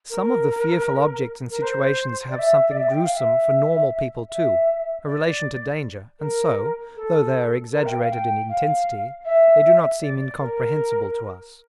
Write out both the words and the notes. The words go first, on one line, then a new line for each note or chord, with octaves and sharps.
Some of the fearful objects and situations have something gruesome for normal people too, a relation to danger, and so, though they are exaggerated in intensity, they do not seem incomprehensible to us.
A#4
A#4
C5
D5
E5
D5
E5
G5
F5
E5
E5
D5
A#4
A4
A#4
G5
F5
G5
F5
E5
D5
D5
A#4